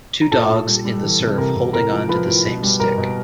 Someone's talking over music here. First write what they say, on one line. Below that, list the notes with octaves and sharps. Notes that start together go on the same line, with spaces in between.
Two dogs in the surf holding on to the same stick.
A#5
A#2 A4 A5
A#2
G3
G3
E3
C3
C3 A#4 A#5
C3
A2 A#4 A#5
F3
F3 B4 B5
A2
B2
G3
B2 A#4 A#5
B2